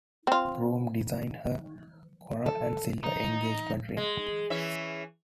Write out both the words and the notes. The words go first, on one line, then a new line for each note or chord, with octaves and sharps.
The groom designed her coral and silver engagement ring.
C4 F4
A4
D#4
G#3
E3 C#4 E5